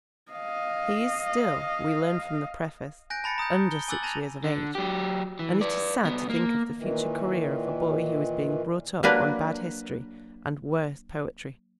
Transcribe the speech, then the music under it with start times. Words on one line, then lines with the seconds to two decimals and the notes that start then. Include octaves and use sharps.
He is still, we learn from the preface, under six years of age, and it is sad to think of the future career of a boy who is being brought up on bad history and worse poetry.
0.32 D#5 F5
3.10 G#5 F#6 G6 A#6 D7
3.24 A5 B5 A6 C#7
3.38 A#5 D#6 F#6 G6
3.71 G7
3.88 G#5 D6 E6 F#6 A6 F#7
4.03 A5 G#6 A#6 D#7 F7
4.44 D3
4.75 F#3 G4
5.39 E3
5.61 B4 D5
6.03 C2 B3
6.29 A#3
6.77 A#2 D#3 E3
9.03 F#3 A#3 D4 B4